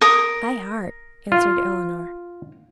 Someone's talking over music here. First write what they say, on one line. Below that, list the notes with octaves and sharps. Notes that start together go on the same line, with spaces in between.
"By heart," answered Eleanor.
A#4 D#6
F4